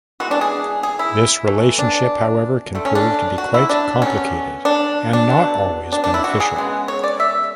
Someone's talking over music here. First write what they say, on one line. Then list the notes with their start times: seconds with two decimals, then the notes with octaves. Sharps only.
This relationship however can prove to be quite complicated and not always beneficial.
0.20 E3 G#3 B3 F#4
0.31 D4
0.41 G#4
0.83 G#4
0.99 E4
1.47 E3 A3
1.79 D4
2.75 D3 A3
2.85 C#4
2.95 D4
3.38 F#4
3.54 E4
3.69 D4
4.02 B2 F#3 A3 C#4
4.65 D4
5.13 D4
5.29 B2 F#3 A3
5.92 D4
6.04 D4
6.14 E4
6.24 F#4
6.40 G#4
6.56 C#3 G#3 B3
6.88 C#5
7.04 D5
7.20 E5